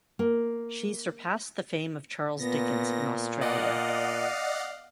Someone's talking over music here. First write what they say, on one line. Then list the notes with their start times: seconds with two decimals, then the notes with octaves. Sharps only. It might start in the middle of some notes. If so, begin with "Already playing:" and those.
She surpassed the fame of Charles Dickens in Australia.
0.19 A#3
2.40 A#2 B3 A#6
3.41 D5 D#5 F5 F#5